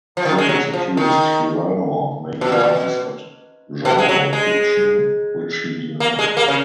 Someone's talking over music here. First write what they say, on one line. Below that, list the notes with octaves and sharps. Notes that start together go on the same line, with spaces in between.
Critics accused Hirano of "making eyes at genre fiction" which he denied.
F3
D#3
G#3
F#3
F3
D#3
B2
A#2
B2
B2
G#3
F#3
G#3
A#3
G#3
A#3
C#3